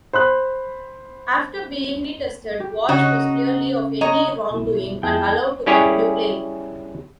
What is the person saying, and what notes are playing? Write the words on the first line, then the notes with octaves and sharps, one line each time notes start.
After being retested, Walsh was cleared of any wrongdoing and allowed to continue playing.
C5 B5 F#6
G4
C#3 C#4 D#4 F#4
B3 C#5 D#5 A#5
B2 E4
F2 B3 E4 G#4 G5 A5
G3 C#4 E4 G4 G#4 C#5